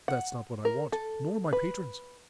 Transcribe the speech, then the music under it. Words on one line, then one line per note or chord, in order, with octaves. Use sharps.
That's not what I want, nor my patrons.
F#5
A#4
A4
B4